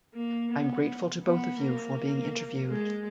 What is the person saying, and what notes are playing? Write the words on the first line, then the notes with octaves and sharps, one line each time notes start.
I'm grateful to both of you for being interviewed.
A#3
B3
B3
A#3
G#3